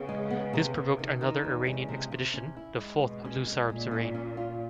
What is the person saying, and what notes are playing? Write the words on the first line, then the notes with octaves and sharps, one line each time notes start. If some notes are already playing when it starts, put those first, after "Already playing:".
This provoked another Iranian expedition, the fourth in Luarsab's reign.
Already playing: C#3 B3
G#3
B3
C3
C3
D#3
D#3
E2
C#3 G#3
C3
C3
C#4
E4
G#3
B2 G#3
C#4
G#3
A#2 G#3
C#4
C#4
F4